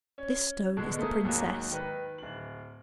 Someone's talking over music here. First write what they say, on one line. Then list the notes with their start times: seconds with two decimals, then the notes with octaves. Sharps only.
This stone is the princess.
0.18 C#4
0.77 B2 D3 G#3
0.99 A3 A#3 G#4 D#6
1.25 D#2 G#2 F#3 A#3
1.71 D#3 B4
2.18 D1 F#7